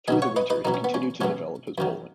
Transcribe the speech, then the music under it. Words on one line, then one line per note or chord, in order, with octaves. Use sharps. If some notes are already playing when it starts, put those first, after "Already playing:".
Through the winter, he continued to develop his bowling.
C#2 B2 F#3 D#5 G#5
C#5 F#5
B4 D#5
B4 D#5
B1 B2 F#3 D#4
C#4
B3
G#3 C#4
B1 B2 F#3 G#3 C#4
F#2 D#3 F#3